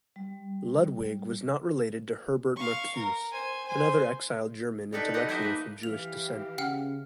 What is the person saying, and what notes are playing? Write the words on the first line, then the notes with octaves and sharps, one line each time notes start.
Ludwig was not related to Herbert Marcuse, another exiled German intellectual from Jewish descent.
G3
F5 C#6
A#4
C5 G#5
C5 G#5
G3 D#4 A4 B4 C#5 G5
F#4 G4 B4 D#5
D#4 E4 G4 C5 D#5 E5
A#3 B4
E3 G4 F5 F7
C#3 F#5 G5 F6